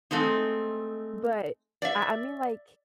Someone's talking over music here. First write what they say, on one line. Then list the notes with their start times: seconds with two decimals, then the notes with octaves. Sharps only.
But I I mean, like
0.11 G#3 A3 C4 D#4
1.82 D5 E5